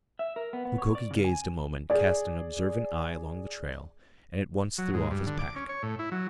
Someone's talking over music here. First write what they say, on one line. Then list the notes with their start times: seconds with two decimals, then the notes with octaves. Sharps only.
Mukoki gazed a moment, cast an observant eye along the trail, and at once threw off his pack.
0.19 E5
0.36 A#4
0.53 B3
0.65 B3
0.78 C#5
0.95 D5
1.11 C#3
1.24 G#5
1.90 G#4 D5
4.78 F#3
4.94 G#2
5.11 G2
5.27 D3
5.39 D6
5.56 C#4
5.69 C#5
5.83 A2
5.99 E4
6.12 F#3